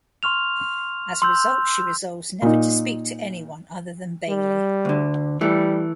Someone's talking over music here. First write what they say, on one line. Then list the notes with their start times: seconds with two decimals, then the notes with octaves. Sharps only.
As a result, she resolves never to speak to anyone other than Bailey.
0.23 C6 C#6 F6 F7
1.22 C6 E6 G6
2.42 A#2 D#4
4.28 G3
4.85 D2 D3
5.41 E3 G3 A3